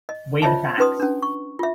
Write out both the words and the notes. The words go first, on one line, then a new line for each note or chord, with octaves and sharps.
Weigh the facts.
D#5
F4 C5 C#5 D#5 E5 A5
C#4 D#4 B4 C6 D#6
C#4 D4
C#6
F4 E5